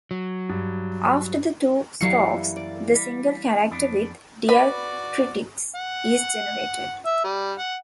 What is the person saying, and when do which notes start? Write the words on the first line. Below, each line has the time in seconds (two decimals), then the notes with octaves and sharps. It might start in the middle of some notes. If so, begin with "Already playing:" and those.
After the two strokes, the single character with diacritics is generated.
0.11 F#3
0.49 G2
2.01 F#2 E3 F#3 G3 A#3 E5 F5 C#7
2.56 D5
2.95 G3
3.71 F2 B3 D4
4.49 F#4 B4 D5 B5
5.75 F#5
7.06 E5
7.25 G3
7.59 F#5